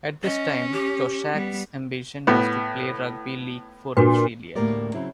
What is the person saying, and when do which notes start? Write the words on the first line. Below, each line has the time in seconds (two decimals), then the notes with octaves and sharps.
At this time, Toshack's ambition was to play rugby league for Australia.
0.24 C#4 D#5
0.73 G4
1.33 G3 B3
2.27 A2 B3
3.97 A#2 D4 F#4 B4
4.55 D2 A2 A#3 G4 A#4 D5
4.94 C#3 F#3 C4 E4